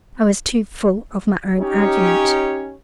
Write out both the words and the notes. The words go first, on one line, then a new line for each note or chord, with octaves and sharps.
I was too full of my own argument.
C#4 D#4 G4 C#5